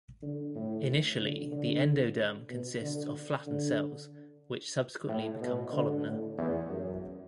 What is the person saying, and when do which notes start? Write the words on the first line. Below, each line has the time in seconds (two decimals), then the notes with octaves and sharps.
Initially, the endoderm consists of flattened cells, which subsequently become columnar.
0.22 D3
0.55 A2
1.20 D3
1.52 D3
2.49 B2
2.81 D3
3.47 D3
5.09 A2
5.40 B2
5.73 D3
6.05 A2
6.38 E2
6.70 F#2